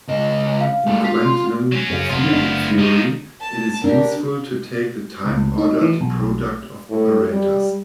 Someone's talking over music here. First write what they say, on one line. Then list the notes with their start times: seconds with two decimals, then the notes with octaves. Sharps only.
In quantum field theory it is useful to take the time-ordered product of operators.
0.08 C#2 D#5
0.60 F5
0.87 G3 A3
1.04 F4 B6
1.25 C6
1.72 F#3 C#4
1.90 F#2 C#3
2.10 F1 F#3 B3 F4
2.33 F#1 A3 D4
2.78 F3 D#4
3.41 A5
3.84 D4 G4 A#4
5.25 C#2
5.58 D#4
5.81 E3
6.01 B1
6.90 A2
7.32 G3